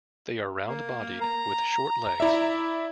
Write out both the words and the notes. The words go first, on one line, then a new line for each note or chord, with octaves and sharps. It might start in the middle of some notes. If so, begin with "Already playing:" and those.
They are round-bodied, with short legs.
A#3
A#5
E4 D5 E5